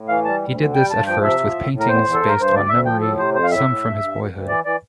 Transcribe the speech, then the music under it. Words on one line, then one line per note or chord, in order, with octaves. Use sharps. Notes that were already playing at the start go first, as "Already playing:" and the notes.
He did this at first with paintings based on memory, some from his boyhood.
Already playing: A2
E3 F5
G3 A5
D2
D3
G3 G5
G2 A5
F3 G5
C3 E5
F3
A2
A2
A#4
E2 C5
E2
A4
G2
A#4
G2 C5
D2 D5
D2 E5
F3 G5
A2 A4
C3 C5
F2 C5
F5
A2 E5
A2
G2
G2
D2
D2
E3 D5
E3 D5